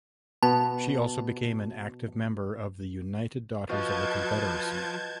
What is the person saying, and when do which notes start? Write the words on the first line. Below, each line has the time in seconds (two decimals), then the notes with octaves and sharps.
She also became an active member of the United Daughters of the Confederacy.
0.43 B2 B3 A5
3.69 F3 F#4 B4 D#5 F5 A5 G6 G#6